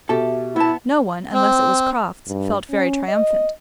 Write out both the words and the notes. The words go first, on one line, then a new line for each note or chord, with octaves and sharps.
No one, unless it was Crofts, felt very triumphant.
B2 G4 A4 E5 A5
B3 E4 A5
C4
G2
C#4
D#5